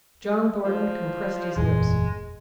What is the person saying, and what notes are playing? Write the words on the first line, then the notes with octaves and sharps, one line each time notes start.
John Thornton compressed his lips.
F3
F#1 E2 A#2 G#3